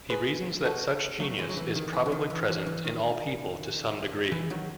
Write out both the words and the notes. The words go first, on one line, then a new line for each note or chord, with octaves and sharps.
He reasons that such genius is probably present in all people to some degree.
G#4 B4
F#4 A4
F#3 A3
E3 G#3
F#3
E3
D#3
E3
E3
D#3
E3
E3
E3
D#3
E3
D#3 F#3